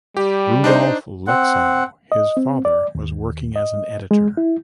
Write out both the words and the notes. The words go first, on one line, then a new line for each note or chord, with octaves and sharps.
Rudolph Lexow, his father was working as an editor.
G3 G4
D4 D#4 C5
C4 F#5
D#5
C4
D5
D#2
D#5
G#3
E4